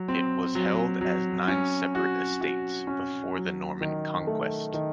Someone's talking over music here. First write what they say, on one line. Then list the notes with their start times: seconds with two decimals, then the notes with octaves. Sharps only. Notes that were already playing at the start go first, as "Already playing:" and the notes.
It was held as nine separate estates before the Norman Conquest.
Already playing: F#3
0.08 C4
0.55 F#3
1.01 F#3
1.48 C#4
1.95 F#4
2.41 F#4
2.87 C#4
3.34 F#3
3.81 D#3
4.27 A3
4.74 D#3